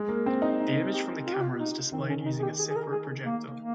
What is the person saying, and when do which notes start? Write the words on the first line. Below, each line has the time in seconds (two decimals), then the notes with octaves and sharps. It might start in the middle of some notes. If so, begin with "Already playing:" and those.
The image from the camera is displayed using a separate projector.
Already playing: G#3
0.09 A#3
0.26 C4
0.42 D#4
0.60 D#4
0.92 G4
1.26 F4
1.34 G4
1.42 F4
1.60 D#4
1.92 D#3 C4
2.09 C#4
2.25 D#4
2.39 G#4
2.42 G4
2.59 G#4
2.70 G#4
2.76 A#4
2.92 G#4
3.26 A#3
3.59 A#3